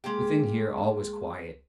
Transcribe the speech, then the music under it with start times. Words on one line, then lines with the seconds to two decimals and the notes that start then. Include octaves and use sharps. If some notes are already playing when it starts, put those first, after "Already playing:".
Within here all was quiet.
0.04 G#3 A#3 G4